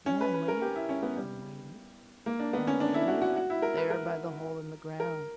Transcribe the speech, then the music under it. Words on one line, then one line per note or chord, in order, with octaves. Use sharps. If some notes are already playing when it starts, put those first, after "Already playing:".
The man waited and waited and waited there by the hole in the ground.
C#4
B4
B4
A#4
G4
E4
C#4
B3
G3
A#3
D4
B3
C#4
D4
E4
F#4
F#4
F#4
E4
A#4
B4
A#4
A#4